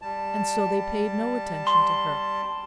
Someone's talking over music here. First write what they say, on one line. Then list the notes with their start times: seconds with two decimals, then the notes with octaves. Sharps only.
And so they paid no attention to her.
0.02 G3 A5
1.67 C6